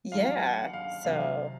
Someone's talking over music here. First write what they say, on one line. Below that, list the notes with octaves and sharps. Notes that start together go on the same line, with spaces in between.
Yeah. So,
D#2 D#3 F#3 F5
F#5
F5
C2 C3 F#3 F5